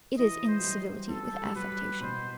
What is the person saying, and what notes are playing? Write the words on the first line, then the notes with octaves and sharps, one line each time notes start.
It is incivility with affectation.
E3 D#5
C5
F#3
G3
A4
G3
F#3 B4
B2 C5